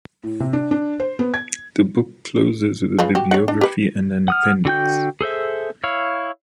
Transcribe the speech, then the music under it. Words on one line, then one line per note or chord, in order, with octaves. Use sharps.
The book closes with a bibliography and an appendix.
A2
C3
D4
D4
C5
B3
G#6
C#3 F4 B4
F#4 G4
C#5 F#5
D4
G4 B4
F#5 D#6 F6
D3 F#4 G5 G6
G#4 A4 C5 E5
E4 C#5 F5